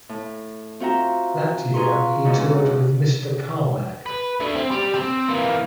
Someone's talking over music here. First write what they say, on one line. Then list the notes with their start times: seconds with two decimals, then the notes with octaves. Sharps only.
That year he toured with Mister Carmack.
0.09 A2
0.80 C4 F4 F#4 E5 G5 A#5
1.74 F4 G#4 B4 A#5 C6 C#6
2.24 E2 G#2 C#3 F#4
4.06 B4
4.40 D3 A3
4.56 C4
4.71 G3
4.95 C4
5.29 E3 A#3